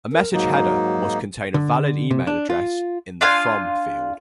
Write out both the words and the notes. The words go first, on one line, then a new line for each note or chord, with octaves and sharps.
A message header must contain a valid email address in the From field.
A#4
G#2 F#3 A#3 D#4
D3
C3
D4
F4
D4 F4 F5 G#5